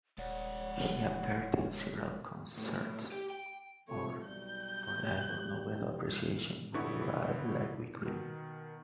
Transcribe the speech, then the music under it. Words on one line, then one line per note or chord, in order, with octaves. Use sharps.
He appeared in several concerts for The Ivor Novello Appreciation Bureau at Littlewick Green.
D#1 G#3 C#5 D5 F#5
A2
G4
G5
C3 F3 A3 C#5
B1 G3 G6
G1 D3 B3 E4 C#6
B2 D#3